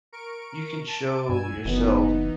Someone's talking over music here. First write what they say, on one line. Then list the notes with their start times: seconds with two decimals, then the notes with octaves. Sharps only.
you can show yourself,
0.12 A#4 C#6 D7
0.87 A5 D7
1.29 G2 G#5 E6 G#6
1.65 F#1 E3 B3 D#4